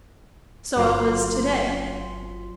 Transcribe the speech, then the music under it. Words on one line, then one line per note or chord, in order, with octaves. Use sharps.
So it was to-day.
G1 F#3 F4 C6